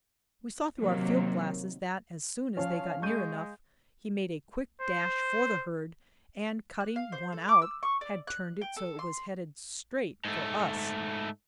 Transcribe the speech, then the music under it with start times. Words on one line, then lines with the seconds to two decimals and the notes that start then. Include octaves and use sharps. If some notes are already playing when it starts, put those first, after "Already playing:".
We saw through our field glasses that as soon as they got near enough he made a quick dash for the herd, and cutting one out, had turned it so it was headed straight for us.
0.81 C3 D#3 F#3 A#3
2.57 F3 C#4 F5
3.02 G#3 C#6 G6 D#7
4.82 C5
6.80 F#6
6.96 F5
7.12 C5
7.32 A4
7.49 D6
7.62 E6
7.83 C#6
8.01 D5
8.27 F#6
8.62 G5
8.77 A4
8.99 C6
10.25 G#2 A3